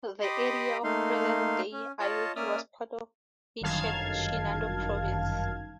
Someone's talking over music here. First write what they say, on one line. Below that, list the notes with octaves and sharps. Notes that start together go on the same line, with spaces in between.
The area of present-day Aoki was part of ancient Shinano Province.
G4 D#5 B5 C6 D6 D#6
A3 A#3 D#4 F5 C6
C#4
F4 C#5 D#5 A5
A#3 C#4 D5 E5 D#6 F6
G1 F#2 D#3 F5 A5 G#6